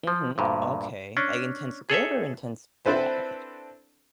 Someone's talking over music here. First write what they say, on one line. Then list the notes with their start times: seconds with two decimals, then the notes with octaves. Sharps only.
Mhm. Okay, like, intense good or intense bad?
0.07 F3
0.38 D2 G2 A#2
1.17 C#4 D4
1.90 G#4 A4 C#5 E5
2.86 C4 D4 E4 A4 B4 C5